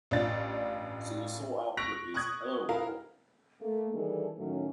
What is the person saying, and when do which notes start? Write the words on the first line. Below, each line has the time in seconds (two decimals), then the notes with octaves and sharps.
So the sole output is "Hello, world!".
0.11 A1 G2 D4 F4 A6
1.77 C#6 F#6 A#6 B6 D7 F7
2.14 C#6 D#6 F#6 G#6
2.69 E4 A#4 F5
3.61 A3 A#3
3.94 D#3 E3 G3 D4 G#4 A4
4.38 A2 D#3 F#3 A3 C#4